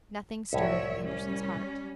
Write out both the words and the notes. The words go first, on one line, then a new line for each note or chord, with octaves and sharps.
Nothing stirred in Andersen's heart.
C2 A2 F3 C#5 E5 G#5
G3 C#4